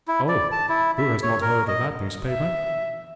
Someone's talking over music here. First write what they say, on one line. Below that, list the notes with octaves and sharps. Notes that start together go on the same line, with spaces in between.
"Oh--who has not heard of that newspaper?"
E4
D5
A5
E4
E5
C#5
A#4
D#5
E5